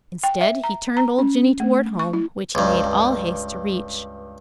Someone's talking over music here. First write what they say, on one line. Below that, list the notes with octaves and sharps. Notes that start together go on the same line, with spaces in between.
Instead, he turned old Jinny toward home, which he made all haste to reach.
G5
E5
A#5
A#5
C#4
A3
C#6
E4
C#2 G2